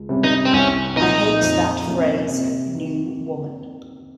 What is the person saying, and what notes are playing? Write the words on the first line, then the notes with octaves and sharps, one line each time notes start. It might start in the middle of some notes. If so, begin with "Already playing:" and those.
I hate that phrase New Woman.
Already playing: C#2
C3 G3 C#4
D#4
C4
C2 C#4
A#2 F3 D#4
F2
C3 F3 A#3 C#4
C3
D#3 A#3